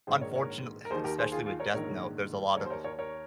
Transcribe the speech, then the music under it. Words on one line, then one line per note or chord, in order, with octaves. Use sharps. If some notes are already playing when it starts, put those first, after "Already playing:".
unfortunate eh, especially with Death Note, there's a lot of
A#1 G#2 D#3 G#4 C5
A#4 C#5
A#4 C#5
A#4
D#2 D#3 G#4 C5
G4 A#4
G#4 C5
F4 G#4
F4 G#4
A#4 C#5
A#1 G#2 D#3 A#4 C#5
D#2 D#3 A#4 C#5
C5
A#4 C#5
A#4 C#5
A#4 C#5